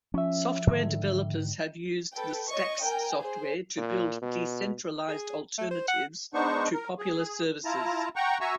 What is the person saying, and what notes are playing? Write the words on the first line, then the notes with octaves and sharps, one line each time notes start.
Software developers have used the Stacks software to build decentralized alternatives to popular services.
F3 C#4 E5
G#2 D3 D#3
A4 B4 G5
C#5 D#5 C#6
A#4 G5 G#5
G#4 C5
A#2
B2
G#4
A3
C5
F#5
G#3 B3 D4 D#4 C5 C#6
A#4
G#4
E4 F4 A5 A#5
F#5 G5 A#5 C#6
F#4 E5 G#5 A#5 C#6 E6